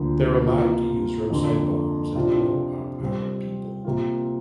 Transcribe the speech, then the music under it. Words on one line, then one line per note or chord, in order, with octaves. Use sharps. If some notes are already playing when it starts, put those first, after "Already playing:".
They’re allowed to use roadside bombs and blow up our people.
Already playing: D2 D3 F3 A#3
C3 A#3 F4
F2 D3 A#3
C3 F3 D4 F4
C3 G3 C4
C3 A#3 F4